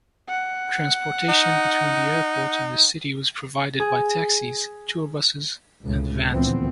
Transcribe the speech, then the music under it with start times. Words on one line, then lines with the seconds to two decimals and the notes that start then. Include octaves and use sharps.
Transportation between the airport and city was provided by taxis, tour buses and vans.
0.29 F#5
1.29 D#4
3.80 G#4
5.83 C#2 A2
6.31 D2 A#2 E3 F3 B3 C4